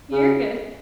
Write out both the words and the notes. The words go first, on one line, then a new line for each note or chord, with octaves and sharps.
You're good.
C#3